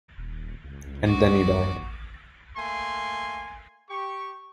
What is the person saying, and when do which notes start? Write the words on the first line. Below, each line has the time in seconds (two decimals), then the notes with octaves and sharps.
And then he died.
0.18 D#1
0.64 C#2
1.05 F#4 D6
1.46 D#2
2.57 A3 A#3 G#5 C6
3.90 G4 C#6